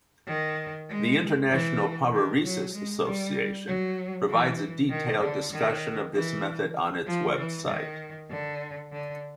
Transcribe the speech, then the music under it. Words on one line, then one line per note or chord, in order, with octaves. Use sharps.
The International Paruresis Association provides a detailed discussion of this method on its website.
D#3
G#3
E3
D#3
F#3
G#3
G3
F#3
E3
D#3
D3
D#3
E3
F3
E3
D#3
D3
D3